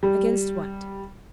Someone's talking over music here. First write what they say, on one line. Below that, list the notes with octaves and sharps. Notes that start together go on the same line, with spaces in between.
"Against what?"
G3